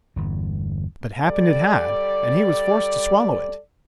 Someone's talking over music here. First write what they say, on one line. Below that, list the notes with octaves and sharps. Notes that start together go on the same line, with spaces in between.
But happened it had, and he was forced to swallow it.
G1 E2
G3 A4 D5